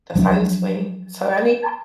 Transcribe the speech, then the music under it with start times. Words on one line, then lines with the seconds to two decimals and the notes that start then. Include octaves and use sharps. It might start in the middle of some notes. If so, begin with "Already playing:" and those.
That's how you swing, so, I need
0.15 F3 F#3 D4